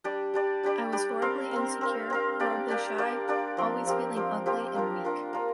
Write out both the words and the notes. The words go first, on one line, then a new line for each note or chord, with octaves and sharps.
I was horribly insecure, horribly shy, always feeling ugly and weak.
G3 D4 G4 D5
G3 D4 G4 D5
G3 D4 G4 D5
G3 D4 G4 D5
C4 A#4 F5
C4 A#4 F5
C4 A#4 F5
C4 A#4 F5
A#3 D4 G4 D5
A#3 D4 G4 D5
A#3 D4 G4 D5
A#3 D4 G4 D5
F3 C4 G4 A#4
F3 C4 G4 A#4
F3 C4 G4 A#4
F3 C4 G4 A#4
A#3 D4 F4 A#4
A#3 D4 F4 A#4
A#3 D4 F4 A#4